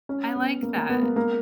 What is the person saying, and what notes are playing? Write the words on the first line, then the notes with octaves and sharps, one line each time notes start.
I like that.
C#4
B3
A#3
A#3
B3
A#3
A#3